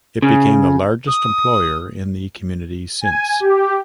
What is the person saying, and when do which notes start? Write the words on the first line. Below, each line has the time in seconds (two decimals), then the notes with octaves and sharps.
It became the largest employer in the community since.
0.22 C#3
1.07 D#6
3.01 G#5
3.40 G4